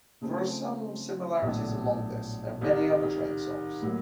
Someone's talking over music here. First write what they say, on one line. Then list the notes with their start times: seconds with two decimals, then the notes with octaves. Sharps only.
There are some similarities among this, and many other train songs.
0.21 C#3 F3 A3 C4
1.41 A#1 A2 F#3 B3 D4
2.61 C2 C3 D#3
3.82 A2 F#3 A#3